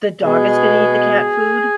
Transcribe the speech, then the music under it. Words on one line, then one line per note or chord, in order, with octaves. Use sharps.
The dog is gonna eat the cat food?
B2 G#3 B3 G#4